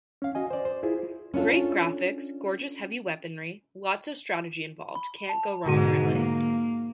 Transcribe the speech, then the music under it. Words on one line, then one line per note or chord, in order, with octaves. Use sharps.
Great graphics, gorgeous heavy weaponry, lots of strategy involved - can't go wrong really.
C#4 F5
F#4 D#5 G#5
C5 D5
C5
E4 F4 G#4
C#4 D4 F4 A4
B5
A5
G#2 B2 D3 F#4 D#7
A#3